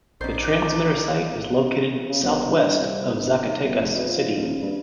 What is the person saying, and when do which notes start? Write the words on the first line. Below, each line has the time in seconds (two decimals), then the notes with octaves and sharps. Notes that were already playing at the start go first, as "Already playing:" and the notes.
The transmitter site is located southwest of Zacatecas City.
0.21 A#1 C#4 D#4 C5 D5 D6
2.09 C#3
2.23 G1
2.48 G2
2.78 C2
3.14 G1
3.43 D#2
3.64 G1
3.79 F1
3.96 B2
4.08 F3
4.35 D#1
4.61 G2